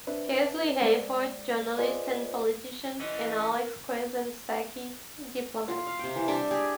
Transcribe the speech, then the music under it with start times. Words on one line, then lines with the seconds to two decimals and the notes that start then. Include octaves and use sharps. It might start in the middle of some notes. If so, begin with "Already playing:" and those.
Casely Hayford, journalist and politician; and Alex Quaison-Sackey, diplomat.
0.07 C4 D4 B4 E5
0.82 G#3 C4 D5
1.78 F4 G#4 B4 C5 D5 D#5
3.00 E3 C#4 D#5
3.53 A#4
5.68 F4
5.87 F5
5.99 C3 G5
6.16 E3
6.28 G3 D4 E5 G5
6.51 G4 G#4